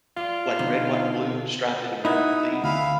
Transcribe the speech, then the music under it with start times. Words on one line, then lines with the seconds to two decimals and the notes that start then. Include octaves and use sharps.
like, red, white, and blue, striped, American themed.
0.17 F4 D5
0.59 B2 D3 D#4
2.05 D#4 E4 F#5 D#6
2.64 D2 E5 F5 B5